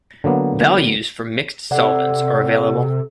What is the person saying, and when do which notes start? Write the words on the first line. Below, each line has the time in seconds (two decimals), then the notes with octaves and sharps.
Values for mixed solvents are available.
0.24 D3 F#3 A#3 B3
1.71 C3 A4 D5 F#5